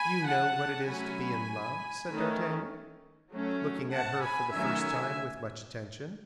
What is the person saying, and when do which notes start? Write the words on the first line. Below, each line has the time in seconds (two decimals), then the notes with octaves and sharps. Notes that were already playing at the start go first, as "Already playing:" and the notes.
"You know what it is to be in love?" said d'Artagnan, looking at her for the first time with much attention.
Already playing: G#5 B5
0.26 F#5 A5
0.87 F#3 A3 C#4 G#5 B5
2.09 D#3 A3 C#4
3.31 F#3 A3 C#4
3.91 F#5 A5
4.22 G#5 B5
4.52 D#3 F#3 A3 C#4 E5 G#5